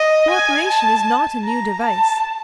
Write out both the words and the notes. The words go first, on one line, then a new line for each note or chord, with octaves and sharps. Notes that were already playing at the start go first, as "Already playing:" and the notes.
Co-operation is not a new device.
Already playing: D#5
G#5
A5
A#5
A5